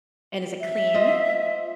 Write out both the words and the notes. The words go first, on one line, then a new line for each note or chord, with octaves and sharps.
And is it clean?
E5
F4 C5 D#5